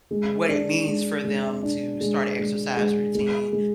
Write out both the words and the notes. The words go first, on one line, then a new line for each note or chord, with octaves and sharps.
what it means for them to start a exercise routine,
G#3
D4
G#3
G#3
D4
G#3
G#3
G#3
G#3
G#3